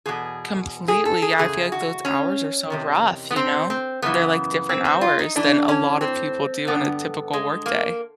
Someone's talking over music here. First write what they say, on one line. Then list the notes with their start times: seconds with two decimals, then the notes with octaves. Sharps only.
Completely. Yeah, I feel like those hours are so rough, you know? They're, like, different hours than a lot of people do in a typical workday.
0.06 E2 B2 G#4
0.88 G#4
1.05 A4
1.22 G#4
1.38 E2 C#3 G#4
1.72 F#4
2.05 C#4
2.70 E2 C3 D#3
3.31 B3
3.36 C4
3.70 C4
4.02 F#2 C#3 E3 B3
4.69 C4
4.85 C4
5.01 F4
5.19 D#4
5.35 A2 E3 D4
5.69 C#4
6.01 C4
6.67 G2 D3 B3
7.33 G#3
7.66 A#3